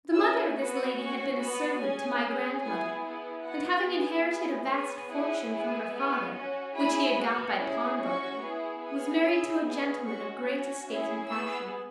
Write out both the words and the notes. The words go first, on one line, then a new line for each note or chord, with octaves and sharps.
The mother of this lady had been a servant to my grand-mother; and, having inherited a vast fortune from her father, which he had got by pawnbroking, was married to a gentleman of great estate and fashion.
C#4 E4 G#4 E6
B3 F#4
C#4 F#4 C#6
B3 F#4
C#4 G#4 G#5
C#4 G#4
B3 E4 G#4 G#5
B3 E4 G#4
B3 F#4 F#5
B3 G#4
B3 E4 G#4
B3 G#4 C#5
C#4 E4 G#4 F#5
B3 E4 G#4
B3 G#4
C#4 F#4
C#4 E4 G#4 B5
B3 F#4
C#4 E4 G#4
C#4 F#4 C#6
B3 E4 G#4
B3 G#4
C#4 E4 G#4 E6
B3 G#4
C#4 F#4 C#6
C#4 F#4 C#5
C#4 E4 G#4 E5
B3 G#4 E6